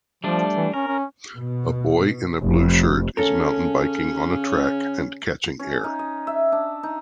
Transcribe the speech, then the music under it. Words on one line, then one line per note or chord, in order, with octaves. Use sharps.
A boy in a blue shirt is mountain biking on a track and catching air.
F3 G3 A3 D4
E3
C#4 A#4
C#4
B2
F1
C#3 C#4 A4 A#4
C#4
D#4
D#5
E5
D4
D#4